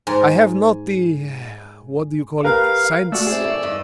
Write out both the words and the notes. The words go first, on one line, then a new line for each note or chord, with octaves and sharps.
I have not the--what do you call it--sense?
G#2 G#5
G4 A#4 B4 F5
A3 F#4 D5 E6
C4 E4 G#4
F#2 D3 C#5
E2 G2 D#5